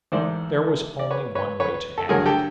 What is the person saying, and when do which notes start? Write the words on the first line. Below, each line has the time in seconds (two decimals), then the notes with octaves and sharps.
There was only one way to end it.
0.12 A1 G#2 D#3 C5 D5
0.99 D5
1.11 B4 C#5
1.35 B4 C#5
1.60 B4 C#5
1.98 A4
2.09 G2 D3 F#3 G#4 A#4
2.26 G4 A4